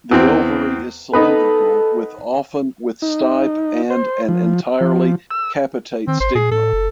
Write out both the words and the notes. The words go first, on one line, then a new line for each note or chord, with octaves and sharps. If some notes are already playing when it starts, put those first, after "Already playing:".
The ovary is cylindrical with often with stipe and an entirely capitate stigma.
E2 C4
B3 D#4 A4 B4
D#4
C5
F3
F3
E6
D#3 C4
G#1 C5
A#2 G#4
A2 A4
F#1